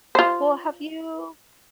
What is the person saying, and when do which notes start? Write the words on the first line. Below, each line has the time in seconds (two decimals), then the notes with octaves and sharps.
Well, have you
0.15 F4 C5